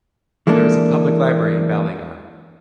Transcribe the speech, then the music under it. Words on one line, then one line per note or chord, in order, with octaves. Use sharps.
There is a public library in Ballygar.
E3 G#3 A#3 D4 A4